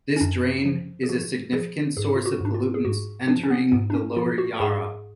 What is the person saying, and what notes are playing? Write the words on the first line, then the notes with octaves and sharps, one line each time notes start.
This drain is a significant source of pollutants entering the lower Yarra.
C#4
F#2 D4
F3
G#4
F3 F#4
F3 G#4
G#2 G#4
F4
F#4
G#2 D4
F4
G#4
G#2 F#4
F3 D4
C#4
B3
G#2 B3
D4
C#4
F3 F4
F#4
G#2 G#4